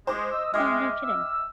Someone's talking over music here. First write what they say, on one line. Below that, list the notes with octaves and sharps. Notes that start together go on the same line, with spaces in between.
Oh, no kidding.
G#3 C5 D6
D#5 D#6 E6
G#3 D#5 E5 G5 D6 F6
E6